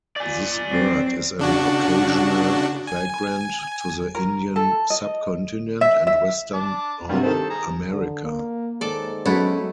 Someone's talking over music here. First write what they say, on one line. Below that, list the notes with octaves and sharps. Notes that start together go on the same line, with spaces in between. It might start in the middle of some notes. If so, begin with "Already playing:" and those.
This bird is an occasional vagrant to the Indian Subcontinent and western North America.
D5 G#5
F#3 C4
C#3 D4 F#4
G#5
A#4
A4
D#5
E5
E5
A5 D6
G2 C3 F4 F#4
D#3 G4 A4 C5
G#4 A#5
D3
A#3
D#2 G#2 A4 D5
F#3 G#3 A3 B3 C#4 E4